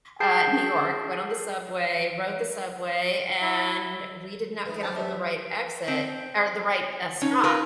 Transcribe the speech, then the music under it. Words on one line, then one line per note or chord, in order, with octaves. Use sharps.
uh, New York, went on the subway, rode the subway, and we did not get off at the right exit er, the right, uh, stop
G#4 G5 A5 G6 C7
E4
G#2 E3 G#3 B4
F#2 B3 C5 D5 A5
G3 E5
C4
C#4 D#4
F4 A#4 B4